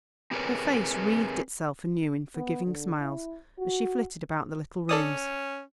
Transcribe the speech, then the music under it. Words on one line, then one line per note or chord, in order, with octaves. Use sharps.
Her face wreathed itself anew in forgiving smiles as she flitted about the little rooms.
C4 G4 G#4 A#4 B4 C#5
B3
D3
E4
F#4
C#4 A4 D5 D#6